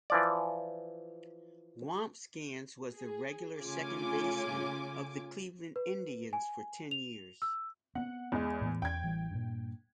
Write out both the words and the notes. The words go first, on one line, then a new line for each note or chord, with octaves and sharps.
Wambsganss was the regular second baseman of the Cleveland Indians for ten years.
E3 F3 D5
G#4
C#3 A3 C#4 F4 G#5 D6
B4
G#5
F7
E6
B3 C4 F#5
E2 G#3
A2 E3 B3
E2 G5 G#6
A1 E3 G3
G2 A#2